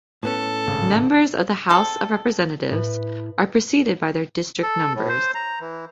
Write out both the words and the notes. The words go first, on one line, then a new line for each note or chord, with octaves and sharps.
Members of the House of Representatives are preceded by their district numbers.
A2 B3 C#4 A4
G#1 A2 C#3
G#3 C4 A4
A2 B4
A4
A2
C5
A#5
E3